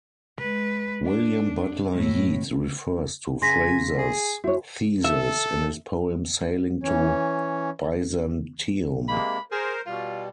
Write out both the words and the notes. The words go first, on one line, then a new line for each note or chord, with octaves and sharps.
William Butler Yeats refers to Frazer's thesis in his poem "Sailing to Byzantium".
G#3 B4
D4
F#2 A2
C#3 G#5 C6 A#6 B6
G#4
E4 F#4 C#5
A4 E5
E3 C#4 C#5
C3 G#3 A#3 B5
G#4 A#4 C5
B2 G3 F4